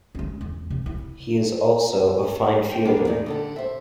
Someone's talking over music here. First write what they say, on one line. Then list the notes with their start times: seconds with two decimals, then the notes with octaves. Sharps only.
He is also a fine fielder.
0.15 G#3 C#4
0.41 E2
0.70 C3
0.86 E4
2.71 G5
2.85 G#3 A#3 B3 D4 A#4
3.07 A2 G#3 A3 D#4 D5
3.26 D3 G3 A4
3.56 C5 E5